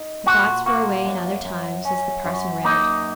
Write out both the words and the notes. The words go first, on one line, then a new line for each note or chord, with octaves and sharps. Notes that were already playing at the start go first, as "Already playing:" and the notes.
Her thoughts were away in other times as the parson read.
Already playing: D#4
A#2 F#4
A#3 F#4
F#2
F#2
C#4
F#2
A#3 D#4